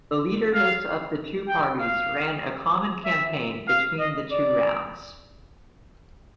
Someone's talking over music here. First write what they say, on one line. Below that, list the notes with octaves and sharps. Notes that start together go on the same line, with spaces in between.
The leaders of the two parties ran a common campaign between the two rounds.
F5
G5
F5
E5
F5
D#5
D5